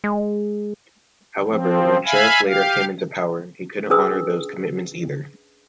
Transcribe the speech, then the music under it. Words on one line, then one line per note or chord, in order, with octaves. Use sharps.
However, when Sharif later came into power, he couldn't honour those commitments either.
G#3
F3 C4
E5 F5 G#5 B5
G4 F5
C#4 D4 G#4 B4 D#6 E6